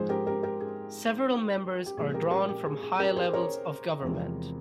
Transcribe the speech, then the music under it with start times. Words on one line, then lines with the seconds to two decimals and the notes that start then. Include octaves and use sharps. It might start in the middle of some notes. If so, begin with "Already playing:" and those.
Several members are drawn from high levels of government.
Already playing: G#2 F3 G#3 G#4 C5
0.09 G4 A#4
0.27 G4 A#4
0.43 G4 A#4
0.60 G#4
1.86 G4
1.97 A#2 F3 G#3 G#4
2.14 G4 A#4
2.31 G4 A#4
2.49 G4
2.66 G#4
2.82 G#4
2.99 G4 A#4
3.16 G#4 C5
3.33 A#4 C#5
4.02 E2 C3 F3 G#3